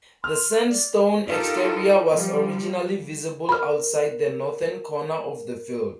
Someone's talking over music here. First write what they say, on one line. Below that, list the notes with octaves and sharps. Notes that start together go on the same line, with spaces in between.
The sandstone exterior was originally visible outside the northern corner of the field.
C6 F6
D5
D#4 F4 G4 A4 A#4
F3 G3
A#4 B5 F6